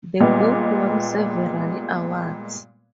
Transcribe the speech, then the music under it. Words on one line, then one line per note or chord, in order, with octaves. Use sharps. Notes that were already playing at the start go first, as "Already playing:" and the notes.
The book won several awards.
A#2 G3 G#3 B3